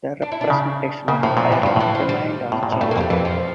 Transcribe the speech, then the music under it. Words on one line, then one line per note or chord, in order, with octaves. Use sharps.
The representation of Ireland remained unchanged.
D4
E4
D4
C#3
C#3 A#3
A2 F3
A#2 F3
A2 E3
G2 F3
A2 E3
F3
G3
A2
A#2
A2
G2 A3
A#3
F2 G3
F2 E3
F3